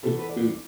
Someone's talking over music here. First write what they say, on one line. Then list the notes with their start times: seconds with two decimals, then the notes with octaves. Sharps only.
Would you
0.03 E2 E3 B3 A4
0.19 B4
0.29 D5